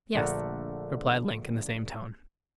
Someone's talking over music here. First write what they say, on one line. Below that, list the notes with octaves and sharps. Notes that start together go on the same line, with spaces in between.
"Yes," replied Link in the same tone.
A#1 D3 A3 A#4 F#5